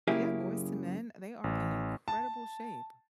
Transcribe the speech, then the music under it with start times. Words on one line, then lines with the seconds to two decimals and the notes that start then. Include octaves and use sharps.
Yeah, Boyz II Men, uh, they are in incredible shape,
0.08 F#2 C#3 A#3 E4 G4 G#4
1.44 A1
2.08 A5